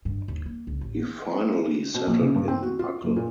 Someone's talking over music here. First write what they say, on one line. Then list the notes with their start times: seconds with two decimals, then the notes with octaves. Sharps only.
He finally settled in Uccle.
0.05 G2 D#3
0.28 D#2
0.46 A#3
0.67 C#2
0.81 A1
1.94 B2
2.07 A#1
2.21 C#3
2.36 G2
2.48 C4
2.63 F#4
2.79 F4
3.04 F#1
3.16 A#2